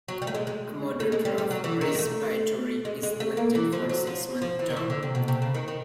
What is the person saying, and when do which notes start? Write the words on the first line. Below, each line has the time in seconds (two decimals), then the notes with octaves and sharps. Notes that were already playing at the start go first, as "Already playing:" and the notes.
A moderator of presbytery is elected for a six-month term.
0.08 F#3
0.22 G3
0.27 A3
0.35 G#3
0.47 G#3
1.00 A3
1.12 G#3
1.25 G3
1.38 G3
1.51 F#3
1.64 E3
1.81 D#3
1.95 G#3
1.99 A3
2.85 G#3
3.03 G#3
3.20 A3
3.37 A#3
3.55 E3
3.72 F3
3.90 F#3
4.07 F3
4.42 F3
4.59 E3
4.70 D#3
4.77 E3
4.90 D3
5.03 C3
5.15 B2
5.28 C3
5.42 C#3
5.54 D#3
5.68 D#3